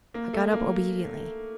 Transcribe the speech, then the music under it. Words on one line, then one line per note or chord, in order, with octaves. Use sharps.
I got up obediently.
A#3
A3
A#3